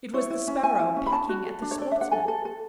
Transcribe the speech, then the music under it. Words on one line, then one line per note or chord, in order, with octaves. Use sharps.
It was the sparrow pecking at the sportsmen.
E4 C#5
E4
C#4
E4 G#5
E4
C#4
B5
D4 A5
F#4
A4
D4
C#5
A4 D5
D4 E5
F#5
A4 G#5
A4
A4